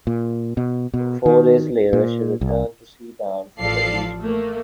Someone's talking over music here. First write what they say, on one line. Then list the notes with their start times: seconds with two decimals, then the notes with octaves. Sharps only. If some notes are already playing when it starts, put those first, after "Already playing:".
Four days later, she returned to sea bound for the East Coast.
0.07 A#2
0.57 B2
0.94 B2
1.26 D#3
1.93 A#2
2.41 C2
3.58 A1 F3 A4 D5 F5 C7
4.21 A3 A#3